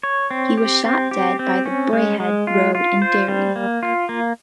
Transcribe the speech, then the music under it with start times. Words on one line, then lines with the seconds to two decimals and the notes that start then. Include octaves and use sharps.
He was shot dead by the Braehead Road in Derry.
0.03 C#5
0.31 C4
0.58 G4
0.85 C4
1.11 G4
1.39 C4
1.65 C#4
1.93 G#3
2.20 G#3
2.47 F4
2.75 F4
3.02 C5
3.28 G3
3.56 A#3
3.83 F4
4.09 A#3